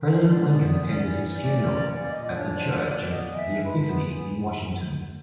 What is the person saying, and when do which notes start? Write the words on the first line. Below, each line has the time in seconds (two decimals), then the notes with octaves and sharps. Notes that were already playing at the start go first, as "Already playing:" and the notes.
President Lincoln attended his funeral at the Church of the Epiphany in Washington.
Already playing: D#3
0.10 D4 C5
0.29 G#3 D5
0.48 B3
0.67 D#3
0.85 C#4
1.04 E3
1.23 E3
1.41 A3 D5
1.59 C#4
1.79 E3
1.97 A#3
2.11 D#5
2.16 A#2
2.25 D5
2.34 D4
2.39 C#5
2.52 F3 D5
2.71 A#3
2.90 A#2
3.09 B3 D#5
3.27 E3
3.37 E5
3.45 D4
3.65 G#3 B4
3.83 B3 B4
4.01 E3